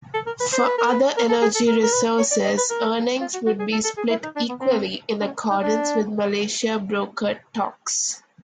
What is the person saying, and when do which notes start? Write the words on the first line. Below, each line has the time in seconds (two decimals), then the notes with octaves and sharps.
For other energy resources, earnings would be split equally in accordance with Malaysia-brokered talks.
0.14 A4
0.27 A#4
0.40 B4
0.52 C5
0.65 B4
0.78 A#4
0.91 B4
1.17 A#4
1.29 A4
1.42 G#4
1.55 A4
1.68 A#4
1.83 A#4
1.93 B4
2.18 C#5
2.31 D5
2.44 D#5
2.57 B4
2.70 A#4
3.21 F4
3.34 F#4
3.46 F#4
3.59 G#4
3.72 A4
3.84 A4
3.97 G#4
4.10 E4
4.23 D#4
4.36 D4
4.49 B3
4.61 C4
5.21 D4
5.25 C#4
5.50 D#4
5.63 D4